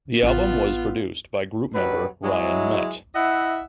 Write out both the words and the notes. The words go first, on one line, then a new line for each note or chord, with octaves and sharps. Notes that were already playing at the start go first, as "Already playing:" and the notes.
The album was produced by group member Ryan Met.
A1 B3 F4
F#2 B2 F#3 D4 G4 B4
F#3 G#3 E4
E4 D#5 E5 F#5